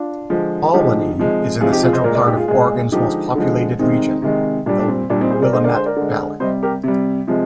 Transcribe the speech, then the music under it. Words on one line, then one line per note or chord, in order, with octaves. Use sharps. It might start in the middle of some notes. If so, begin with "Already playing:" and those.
Albany is in the central part of Oregon's most populated region, the Willamette Valley.
Already playing: D4 F4
D3 F3 G#3
D3 F3 G#3 D#4 G4
C3 F3 G#3
C3 F3 G#3 F4 G#4
D#4 G4
F4 G#4
C5 D#5
A#2 G#3 A#4 D5
A#4 D5
D#4 G4
F4 G#4
A#2 G#3 F4 G#4
D3 F3 G#3 D#4 G4
D3 F3 G#3
C3 D#3 G#3 C4 D#4
C3 D#3 G#3
A#2 G3 D4
D4
C4
A#2 G3 D4
C4 D#4
G#4 C5
A#4 D5
D3 G#3 C5 D#5
A#4 D5
G#4 C5
A#4 D5
D3 G#3
C3 G3 C5 D#5
G4 A#4
C3 G3
C3 F3 G#3